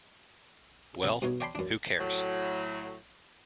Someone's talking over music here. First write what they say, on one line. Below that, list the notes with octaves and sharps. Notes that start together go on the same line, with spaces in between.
Well, who cares?
C3
G2 B2 D#4 C#5
C#5 D5 G5 A5 B5 C6
F#2 D4
A2 F#3